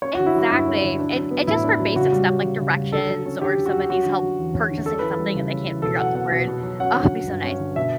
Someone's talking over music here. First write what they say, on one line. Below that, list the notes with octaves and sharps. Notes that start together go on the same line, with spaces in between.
Exactly. And and just for basic stuff, like directions or if someone needs help purchasing something and they can't figure out the word oh, it'd be so nice.
C#4 C#5
F#4
D3
E4
F#3 F#4
G2 E4
C#4
D3
D4
F#3
B3
A2 E4
D4
F#3
C#3 F#4
G3
C#4
C#3
C#3
G3
D3 A4
F#3
C#4
D3 G4
D3
F#4
F#3
C#4 F#4
D3
F#3
E2
C#4
D3
C#4 A4
E3 B4
A4
G3
C#3
C#4
E3
B2 A4
F#3 F#5
B3 F#5
B2
B2
F#3
C#4 F#5
D3
F#3
G2
C#4
D3
B2 E5